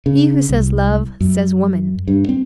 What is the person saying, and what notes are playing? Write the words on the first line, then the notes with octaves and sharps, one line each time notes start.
He who says love, says woman.
C#3
C2
F#2
G2
C4